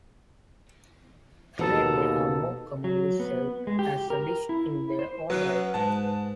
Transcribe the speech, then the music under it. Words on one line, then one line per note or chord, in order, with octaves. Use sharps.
Today, they are more commonly served as a dish in their own right.
D#2 B2 B3 A4 A#4 D#5 A5
F#3
B3
G#3
G4
A#4
E4
C5
F#2 F#3 B3 A#4 B4
G#2 A5